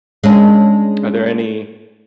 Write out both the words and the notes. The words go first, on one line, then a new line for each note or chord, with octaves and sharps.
Are there any
G#3 C#4 D4